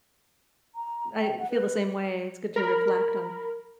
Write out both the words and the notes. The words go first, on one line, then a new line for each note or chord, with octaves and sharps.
I feel the same way, it's good to reflect on,
A#5
G5
F#5
B4
A#4 B5